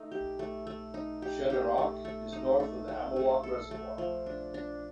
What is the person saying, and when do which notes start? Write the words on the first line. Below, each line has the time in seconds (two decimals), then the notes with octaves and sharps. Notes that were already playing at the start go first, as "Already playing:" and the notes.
Shenorock is north of the Amawalk Reservoir.
Already playing: A3 D#4
0.12 G4
0.39 A3
0.67 A3
0.94 D#4
1.22 G4
1.50 G4
1.78 A3
2.05 A3
2.32 D#4
2.60 A3
2.88 A3
3.16 A3
3.43 A4
3.71 A3
3.98 F3
4.26 D4
4.54 D4